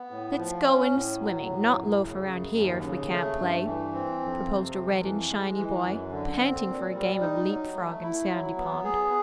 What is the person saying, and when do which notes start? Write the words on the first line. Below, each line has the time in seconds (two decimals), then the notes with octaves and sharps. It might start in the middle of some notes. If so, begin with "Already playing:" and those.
"Let's go in swimming, not loaf round here, if we can't play," proposed a red and shiny boy, panting for a game of leap-frog in Sandy pond.
Already playing: B3
0.11 A2
0.37 F3
0.65 C#4
0.92 A2
1.19 F#3
1.47 A2
1.74 F#2
2.02 C#3
2.29 F#2
2.56 D#2
2.83 C#3
3.11 A3
3.38 G2
3.65 E3
3.93 C4
4.20 F2
4.48 C3
4.75 F2
5.02 E3
5.29 G#3
5.57 E3
5.84 F#2
6.11 D3
6.39 C4
6.66 A#2
6.94 G3
7.21 D#4
7.48 F#3
7.75 A3
8.03 E4
8.30 F#3
8.57 B3
8.84 G#4